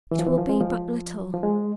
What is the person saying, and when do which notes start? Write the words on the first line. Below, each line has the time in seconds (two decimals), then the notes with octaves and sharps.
It will be but little.'
0.11 E3
0.19 F3
0.27 E3
0.38 F3
0.49 G#3
0.61 F3
1.34 F3
1.43 G#3